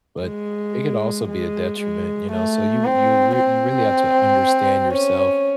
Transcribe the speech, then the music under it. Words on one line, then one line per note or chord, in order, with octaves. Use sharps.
but it could also be a detriment, you know? So you you r you really have to understand yourself,
G#3
G#3
G#3
A3
C4
C4
C#4